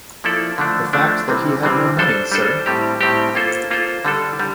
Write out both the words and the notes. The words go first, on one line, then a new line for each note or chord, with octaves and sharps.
The fact that he had no money, sir.
F3 A#3 E4 A4 D5
D3 F3 A3 D4
D3 F3 A3 D4
C3 E3 G3 C4
C3 E3 G3 C4
G3 D4 A4 C5
G3 D4 A4 C5
A2 G3 C4 G4
A2 G3 C4 G4
A#3 F4 A4 C5
A#3 F4 A4 C5
D3 G3 D4 A4
D3 G3